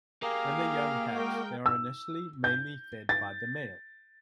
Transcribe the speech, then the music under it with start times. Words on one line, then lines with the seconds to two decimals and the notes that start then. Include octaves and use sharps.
When the young hatch they are initially mainly fed by the male.
0.22 A#3 G4 G#4 A#4 F5
1.15 G#3 F#4 A#4 G5 D6
1.66 E6
2.44 G6
3.09 A6